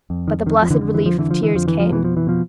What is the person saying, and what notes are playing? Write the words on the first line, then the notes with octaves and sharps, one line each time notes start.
But the blessed relief of tears came.
F2
D#3
F2 D#3
F3
D3 E3
D3
E3
F3
D3 E3
F3
E3
F2 F3
E3
F3
B2 E3
F3
E3
B2 F3